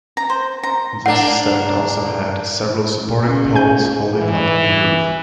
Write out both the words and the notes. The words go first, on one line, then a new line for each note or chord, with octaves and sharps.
This stand also had several supporting poles holding up the roof.
A#5
C5
A#5
A#3 D4 F#5
C#3
G#5 G6
E3